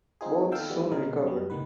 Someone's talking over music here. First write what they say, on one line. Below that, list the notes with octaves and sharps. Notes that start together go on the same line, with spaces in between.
Both soon recovered.
C4 D#4 F4 G#4
D#3 B3 A4 F5 G5 E6
F3 G3 A3 B3 D4
B2 D3 G#3 A#4
F#2 G3
C#2 A2 D#3 B3 B4